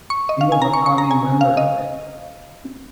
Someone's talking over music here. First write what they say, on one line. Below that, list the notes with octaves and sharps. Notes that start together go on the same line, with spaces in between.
He was a founding member of it.
C#6
D#5
F5
G#5
A#5
C#6
C#6
A#5
G#5
F5
D#5